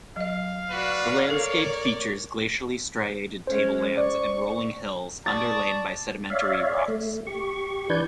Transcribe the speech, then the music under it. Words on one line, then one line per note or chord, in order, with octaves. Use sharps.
The landscape features glacially striated tablelands and rolling hills underlain by sedimentary rocks.
F#3 D#5 F5
F#4 B4 D5
A4 A#4 C#5 D5
G#3 C#4 C5
D5 C#6
D5 A5 C#6 D#6 A6
C#5 D5 E5 F5
A3
G4 C#6
E3 D4 B4 D5 G6 G#6